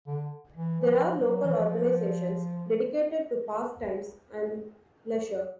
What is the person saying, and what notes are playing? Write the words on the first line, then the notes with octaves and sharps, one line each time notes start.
There are local organisations dedicated to pastimes and leisure.
D3
E3
F3
F#3
E3
F3